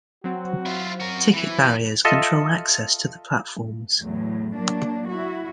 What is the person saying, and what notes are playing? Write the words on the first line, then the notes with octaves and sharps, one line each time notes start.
Ticket barriers control access to the platforms.
F#3 C4 F#4
E4 F4
F#4 A#4
E3 E4
F4 A4 D#5 E5
E2 A2 F#3
F#3 A#3 D4
E4 F#4